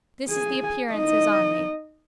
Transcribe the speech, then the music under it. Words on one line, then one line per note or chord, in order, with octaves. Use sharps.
This is the appearance is on me.
G#4 G#5
D#4 D#5